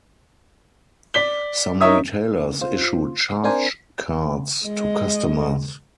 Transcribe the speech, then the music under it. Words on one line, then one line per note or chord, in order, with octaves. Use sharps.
Some retailers issue charge cards to customers.
D5 B6 G7
D#4 A#4 C#5 E5 D#6
F4 C5
C4 D4 A#4 C5 G#5
G#3 D#5